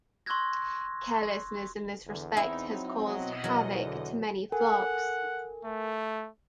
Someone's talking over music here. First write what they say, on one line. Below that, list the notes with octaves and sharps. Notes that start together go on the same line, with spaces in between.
Carelessness in this respect has caused havoc to many flocks.
C6 C#6 E6 F#6 G#6 A#6
E2 D3
C4 D#4 E4
F#3
B2 F#3 D#5 F#5
E2 F#3 A#4
D3
A4 A#4 F#5 G#5
A3